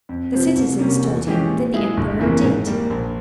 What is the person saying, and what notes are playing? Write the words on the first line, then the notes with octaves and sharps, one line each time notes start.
The citizens told him that the emperor did.
F2
C3 F3 C4
C2
C3 G3 A#3 C#4
E2
E3 G#3 C#4 G4
A#2
G#3 E4 G#4
G1
F2 C#3 E3 A#3
G#2
G3 A#3
A#1